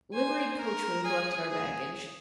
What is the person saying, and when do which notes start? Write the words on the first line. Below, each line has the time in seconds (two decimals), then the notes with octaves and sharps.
Liveried coachmen collected our baggage.
0.13 C5 G#5
0.59 A#4
1.04 G#4 G#5
1.50 G#4